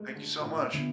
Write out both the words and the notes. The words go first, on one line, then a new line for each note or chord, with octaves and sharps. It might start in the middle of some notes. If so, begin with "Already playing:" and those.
Thank you so much.
Already playing: G#3 A3
D3
A#2
A2
D3 F#3 B3